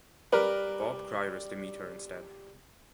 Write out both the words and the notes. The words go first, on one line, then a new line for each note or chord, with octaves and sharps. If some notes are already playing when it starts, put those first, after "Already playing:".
Bob Cryer is to meet her instead.
G3 A#4 B4